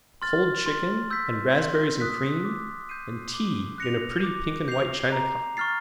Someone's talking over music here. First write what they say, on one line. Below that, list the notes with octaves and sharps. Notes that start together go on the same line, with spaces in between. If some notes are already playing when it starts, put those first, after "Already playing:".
Cold chicken, and raspberries and cream, and tea in a pretty pink-and-white china cup.
C6 F6 A6
C6
E6 G6 B6
C6
D#6 F#6 B6
D6
G6 C7 D#7
D6
F#6 A#6 C#7 F7
D6
G6 C7 F7
A#5
C#6 F6 A6 C7